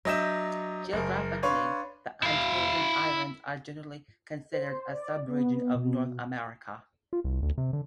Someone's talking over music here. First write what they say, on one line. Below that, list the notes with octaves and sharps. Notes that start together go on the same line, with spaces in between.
Geographically, the Antillean islands are generally considered a subregion of North America.
F#3 D4 D#5 E5 G6 E7
F#1 A#4
D4 B4 C#5 F5 C6 C#6
E4 F5
C5
D5
B3
B2
F4
C2
D2
C3
D3